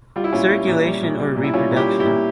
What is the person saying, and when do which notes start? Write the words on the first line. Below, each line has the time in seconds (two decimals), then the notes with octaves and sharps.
Circulation or reproduction?
0.16 G3 F4
0.24 E4
0.33 A#2 C#4 F4
0.51 G3
0.67 A#2
0.85 G3
1.03 A#2
1.20 G3
1.36 A#2
1.44 E4
1.53 G3 C#4 F4
1.71 A#2
1.76 E4 G4
1.88 G3
1.99 E4 G4
2.06 A#2